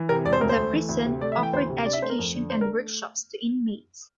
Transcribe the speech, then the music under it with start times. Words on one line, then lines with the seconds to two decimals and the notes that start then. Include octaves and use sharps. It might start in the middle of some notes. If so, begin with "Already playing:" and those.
The prison offered education and workshops to inmates.
Already playing: E3
0.09 C3 A#4
0.25 E1 D5
0.33 C5
0.41 D2 A#4
0.49 C5
0.58 A3
0.73 E3
0.89 D2
1.06 C3
1.21 A3 D5
1.32 E5
1.37 E3
1.43 G5
1.53 D2 C5
1.69 C3
1.85 D4 D5
1.93 E5
2.02 A3 C5
2.10 A#4
2.19 F2
2.35 D3
2.50 D4 C5
2.61 A#4
2.66 A3